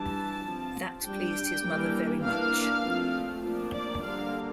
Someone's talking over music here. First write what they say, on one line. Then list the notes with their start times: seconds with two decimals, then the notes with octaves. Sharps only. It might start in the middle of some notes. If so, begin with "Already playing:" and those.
That pleased his mother very much.
Already playing: E3 G3 D4 A5
0.43 F3 C4
1.02 G3 D4 G5
1.64 E3 G3 A#3 D4
2.23 E3 A#3 D4 F5
2.83 F3 A3 C4
3.43 F3 A#3 D4
3.73 D5
4.03 D3 G3 A#3 D4 F5